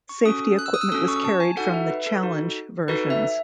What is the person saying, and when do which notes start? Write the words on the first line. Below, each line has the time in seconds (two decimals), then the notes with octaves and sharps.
Safety equipment was carried from the Challenge versions.
0.09 C#6
0.26 C#4 F#4 A4 D#6
0.59 F#6
0.66 E6
0.74 D#6
0.81 E6
0.92 C#4 F#4 A4 D#6
1.08 C#6
1.25 A5
1.40 G#5
1.57 D#4 F#4 A4 F#5
1.74 E5
1.90 B4
2.07 A4
2.23 D#4 F#4 A4
2.88 D#4 F#4 A4 B4
3.10 E5